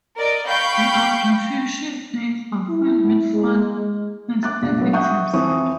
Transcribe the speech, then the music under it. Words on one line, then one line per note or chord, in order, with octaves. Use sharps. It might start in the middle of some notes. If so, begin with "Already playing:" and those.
The Appreciation Days are filled with fun festivities.
A#4 D5 D#5
F5 G5 B5 C#6 G6
E4
G#3
D6 F#6 A6
A#1
F#3 B3
E5 F#5 C#6 D#6 G6
F2 E3 C4 F4 C#6 D#6